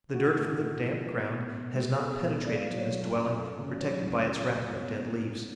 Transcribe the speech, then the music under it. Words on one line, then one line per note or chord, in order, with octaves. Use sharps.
The dirt from the damp ground has not penetrated to this dwelling protected by its wrapper of dead leaves.
A3 F#4
A2
A2
F3
B3
B2
B2
G#3
B3 A4
G#4
B2 A4
B4
B2 D5
F5
F#3 D5
C#5
F#3
F#2
A3
C#3
F#3 C#5
C#2
A3
C#3
B4
B3 C#5
A2
A2